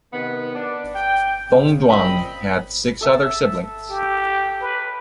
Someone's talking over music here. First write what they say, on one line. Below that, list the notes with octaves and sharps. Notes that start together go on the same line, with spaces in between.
Thongduang had six other siblings.
C3 D#3 B3
D4
G5
C#3
A#2 F3 C4 D#5 B5
A4 E5 A5
G4
B4